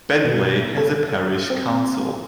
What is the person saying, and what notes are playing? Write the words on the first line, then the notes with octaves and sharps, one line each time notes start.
Bentley has a parish council.
B2
A4
C4